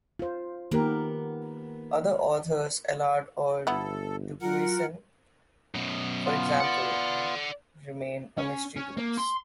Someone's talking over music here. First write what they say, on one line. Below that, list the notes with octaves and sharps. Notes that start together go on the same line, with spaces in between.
Other authors, Allard or Dubuisson for example, remain a mystery to us.
F4 C5
D#3 A#3 B3 G4 A#4 F#5
G1 B3 E4 A4
F#3 F4 A#4 F#5
F#2 B2
B3 F4
D5 F#5
C#4
C#4
A#3
C6